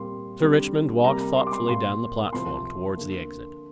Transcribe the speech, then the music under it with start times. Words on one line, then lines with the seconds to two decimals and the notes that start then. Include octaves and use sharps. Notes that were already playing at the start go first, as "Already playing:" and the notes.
Sir Richmond walked thoughtfully down the platform towards the exit.
Already playing: A#2 G3 C4 C6
0.40 D3 G3 C4
1.04 C3 G3 A#3 A#5
1.21 A#5
1.36 C6
1.47 D6
1.53 C6
1.69 A#2 A#3 C6
2.32 C3 F3 C4 C6
2.97 D3 A#3